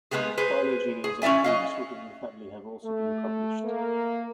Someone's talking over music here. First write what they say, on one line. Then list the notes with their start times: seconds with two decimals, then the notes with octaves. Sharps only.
Phylogenies of groups within the family have also been published.
0.11 G#3 A#3 B3 G4 G#4
0.38 G#4 B4 C5
1.04 G#4
1.22 C#4 E4 D5 E5 G#5
1.44 F#3 D#5 F5
2.84 A3
3.64 A#3